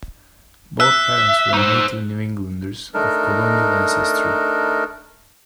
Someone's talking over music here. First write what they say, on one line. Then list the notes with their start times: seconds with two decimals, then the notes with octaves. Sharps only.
Both parents were native New Englanders of colonial ancestry.
0.80 E5 E6 F#6
1.54 D#4 C5
2.94 A3 D4 D#4 A#4